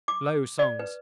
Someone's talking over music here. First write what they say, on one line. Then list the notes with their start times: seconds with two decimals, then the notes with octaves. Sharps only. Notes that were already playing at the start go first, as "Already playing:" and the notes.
Low songs.
0.08 D6
0.59 D5
0.79 B4